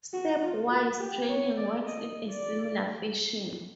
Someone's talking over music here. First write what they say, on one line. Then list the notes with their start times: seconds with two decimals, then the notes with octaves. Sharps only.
Step-wise training works in a similar fashion.
0.13 F#4
0.43 F4
0.70 F#4
0.99 G4
1.28 C#5
1.57 D5
1.86 D#5
2.30 D5